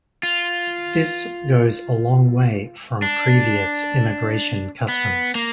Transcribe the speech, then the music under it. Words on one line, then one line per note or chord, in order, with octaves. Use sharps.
This is goes a long way from previous immigration customs.
F4
D4
B3
A#3